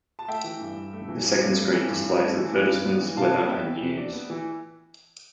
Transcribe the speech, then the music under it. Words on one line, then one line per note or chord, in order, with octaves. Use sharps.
The second screen displays advertisements, weather, and news.
A5
A3 E5 G5
E3
G2
G2
A3
E3
G2
G2
A3
E3
G2
G2
A3
E3
G2
G2
B3
E3
C3 F5 A5
D4
B3 E5 G5
E3
C3
D4
B3
E3